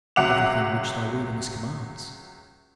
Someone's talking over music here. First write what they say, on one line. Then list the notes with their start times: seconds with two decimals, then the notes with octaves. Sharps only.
"Everything which thy worthiness commands."
0.16 C#2 F#3 E5 F#5 D6 F7